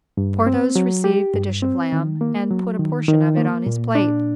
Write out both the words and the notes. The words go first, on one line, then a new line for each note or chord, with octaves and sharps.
Porthos received the dish of lamb, and put a portion of it on his plate.
G2
C4
F#3
G4
G2
C4
D#3
A#3
F#3
D#3
D#3
A#3
A#2
D4